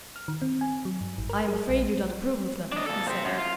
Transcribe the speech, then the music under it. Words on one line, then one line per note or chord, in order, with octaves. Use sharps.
"I am afraid you don't approve of them," he said.
F6
D#3
C4
G#5
F#3
G2
G#1
A#4
G#4
A#1
D4 D#5
A#2 A4
G4 C5
F#2
F4